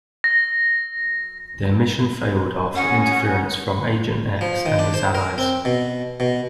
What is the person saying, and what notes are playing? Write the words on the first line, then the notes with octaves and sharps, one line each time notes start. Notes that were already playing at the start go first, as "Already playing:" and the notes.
Their mission failed after interference from Agent X and his allies.
A#6
C#4 F#4 G#4 F#5
F3
D#3
D4
C5
A#4
C4
B2
B2